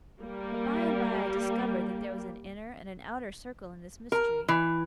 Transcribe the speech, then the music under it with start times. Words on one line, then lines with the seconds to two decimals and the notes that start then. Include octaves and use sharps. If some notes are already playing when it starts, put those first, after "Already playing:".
'But by and by I discovered that there was an inner and an outer circle in this mystery.
0.20 G3 A#3
4.12 A#4
4.48 E3